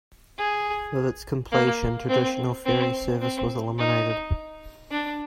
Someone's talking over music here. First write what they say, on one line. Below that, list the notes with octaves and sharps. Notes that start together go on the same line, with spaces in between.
With its completion, traditional ferry service was eliminated.
G#4
A#3
C4
C4
C4
D#4
D4